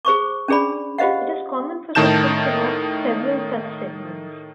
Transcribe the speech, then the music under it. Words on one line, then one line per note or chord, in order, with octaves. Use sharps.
It is common for systems to have several such segments.
G#4 C5 C#6 D6
C#4 D4 G#4 D5 B5
F4 G4 C5 D#5 F5 F#5
A2 D#3 A5 G6 E7